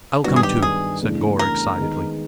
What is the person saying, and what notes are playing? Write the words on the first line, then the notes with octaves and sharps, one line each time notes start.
"I'll come too," said Gore, excitedly.
G2 D#3 F#3 B3 D4 F#4
G#4
G4
G#4
E2 C#3 E3 A3 D4
A#4
D#3 G#3 B3 D#4 G#4